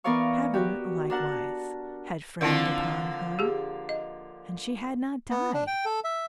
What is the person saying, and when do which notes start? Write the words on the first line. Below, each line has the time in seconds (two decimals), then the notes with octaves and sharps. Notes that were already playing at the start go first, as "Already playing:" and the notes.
Heaven, likewise, had frowned upon her, and she had not died.
0.04 E3 B3 A#4 D5 F5 C#6
0.54 F#4 G4
1.10 D4 A#4 F#5 A5
2.41 D3 F3 A#3 C4 E4 A#4
3.39 G4 G#4
3.89 D#5
5.30 B3
5.54 D4
5.67 G5
5.85 A4
6.04 E5